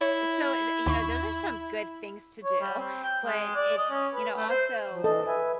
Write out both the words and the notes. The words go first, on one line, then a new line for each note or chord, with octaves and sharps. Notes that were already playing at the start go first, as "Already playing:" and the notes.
So, d you know, those are some good things to do, but it's, you know, also,
E4 C#5
D#2 B5 C#6
C#5
G3
C4
G5
G#3
D5
D#5
C#4
B4
A3
C5
F3
E3 A4 D#5 A5
B4 E5 G#5